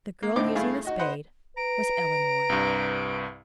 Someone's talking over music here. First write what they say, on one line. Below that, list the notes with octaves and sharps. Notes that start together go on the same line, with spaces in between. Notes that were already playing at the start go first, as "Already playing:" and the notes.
The girl using the spade was Eleanor.
A#3
A2 D3 C4 D#4 D6
G2 A3 E4 G#4 F5
D#4 F#4 D#5
B4 C5 D#5 F#5
B4 A#5 D7
C2 G2